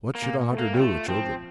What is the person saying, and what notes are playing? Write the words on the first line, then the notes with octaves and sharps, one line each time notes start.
What should a hunter do with children?
A#3
A#2
A3
A#3
G3
A3 F4
F3 C4